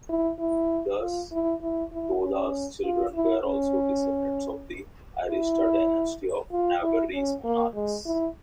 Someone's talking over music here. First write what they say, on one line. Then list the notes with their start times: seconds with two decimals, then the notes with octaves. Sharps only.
Thus, Toda's children were also descendants of the Arista dynasty of Navarrese monarchs.
0.09 E4
0.39 E4
1.00 F4
1.32 E4
1.62 E4
1.93 E4
2.23 C#4
2.84 F4
3.15 E4
3.45 C#4
5.30 E4
6.52 F4
6.83 E4
7.14 C#4
7.44 A#3
7.75 G#3
8.06 E4